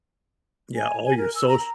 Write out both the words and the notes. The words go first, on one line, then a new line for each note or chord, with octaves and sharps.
yeah, all your soc
G#5
G#5
A#4
E6
A#5
A#5